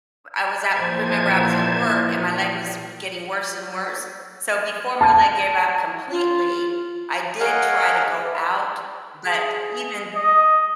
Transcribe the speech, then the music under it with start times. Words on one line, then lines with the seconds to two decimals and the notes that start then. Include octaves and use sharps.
I was at remember I was at work and my leg was w getting worse and worse. So before my leg gave out completely, I did try to go out. But even
0.76 A#2 E3 F3 C5 A5 G#6
5.01 A5
6.11 F4
7.40 G#4 A#4 C#5 D#5 F5 F#5
9.26 G#4
10.15 D#5